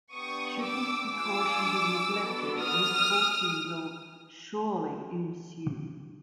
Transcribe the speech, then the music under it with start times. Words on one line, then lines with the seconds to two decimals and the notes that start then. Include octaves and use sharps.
Should this precaution be neglected misfortune will surely ensue.
0.14 B3 D4 G4 C#6 D#6
0.63 D6 E6
1.13 D4 F4 G#4 D6 E6
2.12 B3 D4 F#4 A4
2.60 D#6 F6